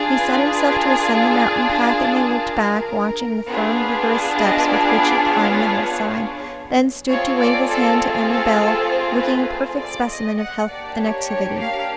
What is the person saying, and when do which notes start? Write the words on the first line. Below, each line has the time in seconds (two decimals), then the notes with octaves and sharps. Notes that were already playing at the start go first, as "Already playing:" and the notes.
He set himself to ascend the mountain path, and they looked back, watching the firm vigorous steps with which he climbed the hill side, then stood to wave his hand to Amabel looking a perfect specimen of health and activity.
Already playing: D4 F4 G#4
0.19 B4
0.48 B4
0.79 A#4
1.09 A4
1.69 A#4
1.99 A4
2.28 A#4
3.48 B3 D4 F4 G#4
4.39 D#5
4.69 D5
4.99 D5
5.29 C#5
7.09 A3 C4 F4 G#4 C#5
7.39 D5
7.69 A4
8.28 A4
8.59 A4
8.89 C5
9.19 B4
9.49 C5
9.78 D5
10.08 D#5
10.38 F#5
10.68 A#3 D4 G4 D5
10.98 C#5
11.28 C#5
11.59 F5